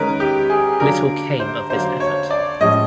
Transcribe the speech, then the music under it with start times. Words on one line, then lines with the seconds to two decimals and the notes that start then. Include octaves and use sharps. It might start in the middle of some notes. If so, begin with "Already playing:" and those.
Little came of this effort.
Already playing: D#3 G#3 C#4 A#4 B4
0.20 G4
0.50 G#4
0.80 D3 F#3 A#3 D4 A#4
1.40 C5
1.70 D3 F#3 A#3 D4 C5
2.00 C#5
2.31 D5
2.60 A2 F3 G#3 C#4 D#5